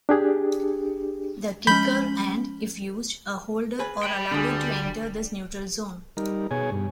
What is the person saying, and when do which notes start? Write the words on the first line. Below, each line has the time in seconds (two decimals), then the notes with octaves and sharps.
The kicker and, if used, a holder are allowed to enter this neutral zone.
0.09 D4 G4 G#4
1.67 F3 G#3 C#4 B5 G6
3.79 G#4 B4 G#5
4.03 G5 B5
4.31 D2 D3 G3 G#4 B5
6.17 G3 D#4 A#4
6.51 B2 G#4 C#5 G#5
6.72 G2